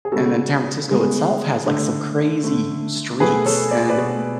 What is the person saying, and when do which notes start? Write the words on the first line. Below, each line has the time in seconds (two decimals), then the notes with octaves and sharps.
and then San Francisco itself has like some crazy streets, and
0.05 G#4
0.12 C#3 G#3 B3 F#4 A4
0.89 C#3 G#3 B3
1.66 D3 A3
2.44 D3 A3
3.20 B2 A3 G#4 B4
3.46 A4 C#5
3.71 D5
3.89 B4 D5
3.97 B2 A3